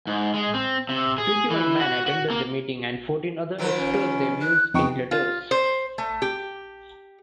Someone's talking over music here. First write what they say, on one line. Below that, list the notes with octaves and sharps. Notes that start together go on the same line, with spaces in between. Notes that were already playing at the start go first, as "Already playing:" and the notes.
Twenty-one men attended the meeting and fourteen other expressed their views in letters.
G#2
G#3
C4
C3
G#4
E3
F#4
F#4
A#3
D#3 F3 F#3 B4
C#4
F#6
F2 B3 D#4 G5 C#6
F4
C5
A3
G4